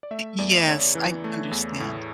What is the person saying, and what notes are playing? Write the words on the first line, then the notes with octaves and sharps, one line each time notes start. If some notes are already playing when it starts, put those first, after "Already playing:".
Yes, I understand.
D5
A3 E5
E2 D5
C#3 C#5
E3
A3
E2
A2